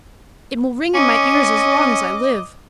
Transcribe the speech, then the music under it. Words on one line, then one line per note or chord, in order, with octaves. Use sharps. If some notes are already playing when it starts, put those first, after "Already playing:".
It will ring in my ears as long as I live.
C#4 D#5 D6